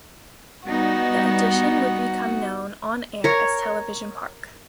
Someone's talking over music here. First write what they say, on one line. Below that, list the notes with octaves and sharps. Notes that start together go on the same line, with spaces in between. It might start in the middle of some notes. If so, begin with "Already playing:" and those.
The addition would become known on-air as Television Park.
G3 B3 D#4 F#4
A#4 C#5